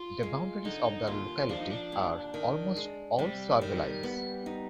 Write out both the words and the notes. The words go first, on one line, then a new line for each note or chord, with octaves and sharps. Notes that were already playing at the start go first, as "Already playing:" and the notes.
The boundaries of the locality are almost all survey lines.
Already playing: F4
G#3
D3 D#4
D#2 F4
F3 D4
D#4
D4
D#2
D#3
G#3
C3 G3
D#3
B3
D#4